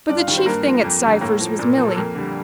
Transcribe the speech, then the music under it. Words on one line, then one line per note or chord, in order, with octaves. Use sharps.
But the chief thing at Cypher's was Milly.
G2 D4 D5
F4 F5
D#3 G3
C4 C5
G2 A#3 A#4
F3
F2
D3 G3
A2 A#3 A#4
F3
A#2
F3
A4
F2 A#3 A#4
D3 G3